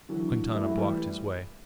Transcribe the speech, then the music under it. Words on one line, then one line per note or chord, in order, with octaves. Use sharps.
Quintana blocked his way.
D3 E3 F#3
G3 A3 E4 G4
F#3
E3 G3